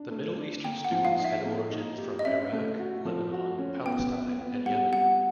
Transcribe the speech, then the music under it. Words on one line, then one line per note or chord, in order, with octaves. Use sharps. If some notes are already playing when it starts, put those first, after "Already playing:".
The Middle Eastern students had origins from Iraq, Lebanon, Palestine, and Yemen.
Already playing: D4
A3
D4
A#3 G5
F#5
F3
F5
D#4
E5
A#3
D#4
G4
D#5
C#4 E5
A3
F#4
F3
F#4
C#4
B3 G5
B3
B3
G3 F#5
G3 F#5